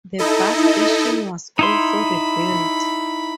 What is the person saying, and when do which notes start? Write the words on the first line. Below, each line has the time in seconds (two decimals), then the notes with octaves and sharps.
The bus station was also rebuilt.
0.18 D#4 E4 A4 D#5
1.59 D#4 E4 B5 C6